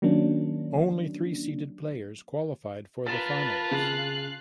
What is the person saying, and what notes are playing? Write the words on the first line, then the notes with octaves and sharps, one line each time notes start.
Only three seeded players qualified for the finals.
D#3 F#3 A#3 C#4 D4
F4 A#4 B4 A5 A6 E7
C#3 F5 F#6